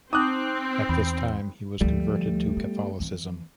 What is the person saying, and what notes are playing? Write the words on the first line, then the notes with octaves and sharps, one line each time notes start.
At this time he was converted to Catholicism.
C4 D#4 A#5 D6 D#6 F#6
E2 B5
D2 F3 G3 A3
B3
E3 C4